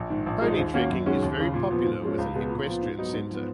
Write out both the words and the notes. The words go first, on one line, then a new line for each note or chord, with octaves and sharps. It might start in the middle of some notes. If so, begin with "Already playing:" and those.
Pony trekking is very popular with an equestrian centre.
Already playing: A#1
G#2 D#3
A#1
G#2 F3 G#3 D#4
D#2
D#3 A#3 C#4 F#4
F#2
D#3 G#3 C#4 F#4
D#2
C#3 G#3
A#2
F3 B3
G#2
F3 G#3 C#4
C#2
B2 G#3 B3
A#2
F3 B3 F4
G#2
F#3 B3 D#4
G#2
F3 B3